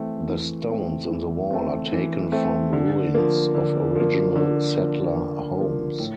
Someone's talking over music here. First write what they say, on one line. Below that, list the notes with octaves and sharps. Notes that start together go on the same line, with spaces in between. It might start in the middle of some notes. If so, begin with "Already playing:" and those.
The stones in the wall are taken from ruins of original Settler homes.
Already playing: E3 A3 C4
E3
A3 C4
E3
A3 C4
E3
A3 C4
D3
F3 A#3
D3
F3 A#3
D3
F3 A#3
D3
F3 A#3
A2